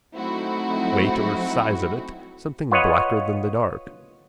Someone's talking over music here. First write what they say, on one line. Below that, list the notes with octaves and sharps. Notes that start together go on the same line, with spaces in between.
Weight or size of it, something blacker than the dark.
F#3 A3 C4 D#4 E4 F#4
F4 B4 C#5 D#5 F#5